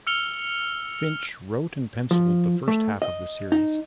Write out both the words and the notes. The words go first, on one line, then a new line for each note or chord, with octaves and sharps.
Finch wrote and penciled the first half of the series.
E6 F6 C#7 F7 G7
F3
A3
D#5
D#4